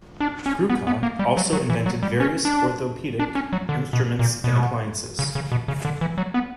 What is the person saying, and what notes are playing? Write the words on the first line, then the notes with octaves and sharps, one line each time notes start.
Gruca also invented various orthopaedic instruments and appliances.
D4
C#4
B3
B3
A#3
G3
F#3
F#3
E3
F#3
G3
C#4
D4
D4
C#4
F#3
D3
B2
A#2
B2
C#3
C#3
B2
C#3
D3
E3
F#3
B3